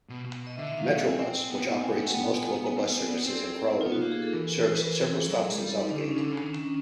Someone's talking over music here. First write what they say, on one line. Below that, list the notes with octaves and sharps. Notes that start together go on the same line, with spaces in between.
Metrobus, which operates most local bus services in Crawley, serves several stops in Southgate.
B2
B2
D#5
D3 E5
D#3 E5
F5
F3 E5
B3 G5
C4 G#5
C4 G5
B3
B3
C4 G#5
B3 G5
A3 F#5
B3 G5
B3 G#5
B3
B3
C4
B3
C4
B3 D5
C4 C5
A4
G#4
G4
D#4
B3 F4
F#4
A#3 G4
G#4
A4
E3 A#4
C5
B4
A#4
G#4
A4
G#4
F#3
G#3
G3 G4
A4
D#4
D3 D4
C#4
C#3 D4
D3 D4
C#3 D4
D#3 D4
D#3 C#4